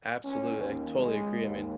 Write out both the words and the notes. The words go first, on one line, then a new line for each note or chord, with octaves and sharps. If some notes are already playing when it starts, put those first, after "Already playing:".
Absolutely, I totally agree, I mean,
C#4
D#2
G#3
D#2